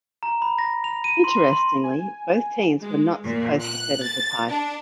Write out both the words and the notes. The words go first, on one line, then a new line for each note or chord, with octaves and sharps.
Interestingly, both teams were not supposed to settle the title.
A#5
B5
A#6
F7
D#7
C6
C6
G#5
G#3
A#2
F#6
A6
D4